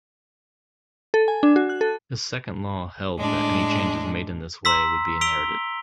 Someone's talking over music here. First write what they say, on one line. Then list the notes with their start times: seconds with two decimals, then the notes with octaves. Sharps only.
His second law held that any changes made in this way would be inherited.
1.14 A4
1.28 G#5
1.43 D4
1.56 F#4
1.69 F#6
1.81 A4
3.17 A2 G#3 D4
4.65 A#5 C6 E6 B6
5.21 E6 B6 D7 F7 G7